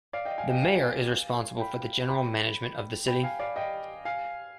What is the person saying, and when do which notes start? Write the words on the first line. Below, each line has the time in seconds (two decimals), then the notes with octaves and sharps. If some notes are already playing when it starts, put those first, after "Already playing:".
The mayor is responsible for the general management of the city.
0.13 D5 F5
0.25 D#5 G5
0.38 F5 G#5
0.50 D#5 G5
0.62 F5 G#5
1.60 G5 B5
2.09 G5 B5
3.07 G5 B5
3.23 F5 G#5
3.39 D5 F5
3.56 D#5 G5
4.05 F5 G#5